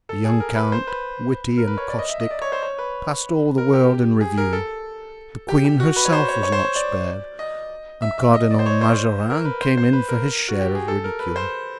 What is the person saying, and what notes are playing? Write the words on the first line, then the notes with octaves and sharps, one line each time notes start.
The young count, witty and caustic, passed all the world in review; the queen herself was not spared, and Cardinal Mazarin came in for his share of ridicule.
A4
G#4
A#4
B4
C5
B4
A#4
B4
C#5
D5
D#5
E5
D#5
D5
C#5
C5
C#5
B4
A#4
G4
G#4
A#4
A4
G4
G4
F#4
B4
C#5
C5
C#5
C#5
C5
C#5
D5
D#5
E5
E5
D#5
D5
C5
C#5
C5
A#4
B4
C5
C5
B4
A#4
F#4
G4
G#4
A4
A#4
B4
C5